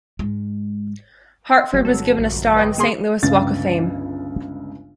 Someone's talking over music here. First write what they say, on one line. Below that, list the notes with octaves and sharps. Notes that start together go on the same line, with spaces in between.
Hartford was given a star on the Saint Louis Walk of Fame.
G#2 G#3
G1 F#3 A3
G1 C#2 F#3 A4
A#1
B4 D#5 G5
D3 A#3 G#4 C6
G1 C#2 C#3 A6